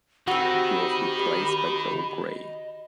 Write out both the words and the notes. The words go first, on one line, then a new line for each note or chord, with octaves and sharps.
He was replaced by Joel Grey.
D#3 C4 F#4 G4 B5
D#5